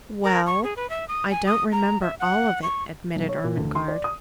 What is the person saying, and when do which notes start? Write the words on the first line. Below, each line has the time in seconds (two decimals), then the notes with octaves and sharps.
"Well, I don't remember all of it," admitted Ermengarde.
0.24 A#4
0.47 C#6
0.64 G#4
0.76 B4
0.90 E5
1.08 D#6
1.30 G#5
1.46 D#6
1.72 A#5
2.02 E5
2.20 F#5
2.63 C#6
3.16 B1
3.29 C#5
3.44 A#2
3.57 D2
3.75 C6
3.88 D5
4.04 D#6